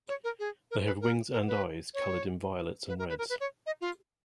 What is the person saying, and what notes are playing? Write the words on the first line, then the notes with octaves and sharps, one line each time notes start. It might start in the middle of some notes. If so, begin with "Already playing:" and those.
They have wings and eyes colored in Violets and Reds.
C#5
A#4
G#4
A#4
B4
A#4
A#4
B4
C#5
B4
A#4
B4
A#4
B4
C#5
D#5
F4